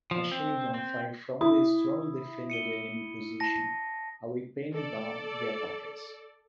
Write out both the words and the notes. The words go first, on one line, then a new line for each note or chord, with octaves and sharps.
Machinegun fire from the strongly defended enemy position away pinned down the attackers.
F3
C4
C4
E4 D#6
C#7 D#7 G7
A5 A#6
A4 D5